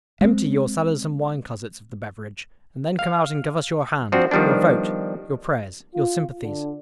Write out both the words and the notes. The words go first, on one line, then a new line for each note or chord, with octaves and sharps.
Empty your cellars and wine-closets of the beverage, and then come out and give us your hand, your vote, your prayers, your sympathies.
G#3 C4
F5
F3 C4 D4 F#4
D#3 F3 G3 B3 D4
F4
D3